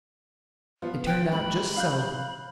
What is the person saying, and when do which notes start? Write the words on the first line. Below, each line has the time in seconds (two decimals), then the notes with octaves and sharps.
It turned out just so.
0.82 F3 B3 F4
1.06 G5 F#6
1.31 G#2 B5
1.76 F5 F#6 G6